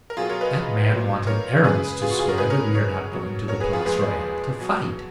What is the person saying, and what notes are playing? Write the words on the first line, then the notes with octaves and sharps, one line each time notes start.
"That man wanted Aramis to swear that we are not going to the Place Royale to fight."
A#4
B2 F#3 F4 G#4
A#4 C#5
B4 D#5
A#2 F#3
A#4 C#5
C#3 G#3 G#4 B4
F4 G#4
F#4
F4 G#4
F#4 A#4
C#3 G#3 G#4 B4
A#4 C#5
A#4 C#5
B2 F#3
A#4 C#5
G#4 B4
F4 G#4
A#2 F3 G#3 G#4 B4
B2 F#3